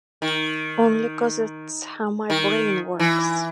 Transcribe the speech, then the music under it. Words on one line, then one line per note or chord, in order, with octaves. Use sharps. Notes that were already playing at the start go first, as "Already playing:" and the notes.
Only 'cause it's how my brain works.
D#3
D#3
E3